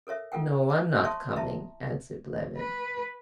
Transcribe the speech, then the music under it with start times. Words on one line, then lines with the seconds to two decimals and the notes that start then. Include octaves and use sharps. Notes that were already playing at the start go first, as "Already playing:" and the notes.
"No, I'm not coming," answered Levin.
0.07 A4 A#4 C#5 E5
0.32 F4 A4 A#4 F#5 G5
0.70 A#5
1.04 C#5 E5 A5 C6 C#6 D#6
1.36 E4 E5 A5 A#5
2.57 B4